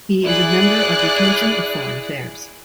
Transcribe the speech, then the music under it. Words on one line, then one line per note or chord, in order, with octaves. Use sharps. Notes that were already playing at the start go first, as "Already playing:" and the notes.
He is a member of the commission of Foreign Affairs.
E4 G#4 D5 F#6